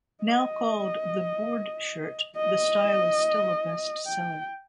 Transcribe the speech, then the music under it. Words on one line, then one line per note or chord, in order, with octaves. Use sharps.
Now called the "board shirt," the style is still a bestseller.
D#5
D#5
G5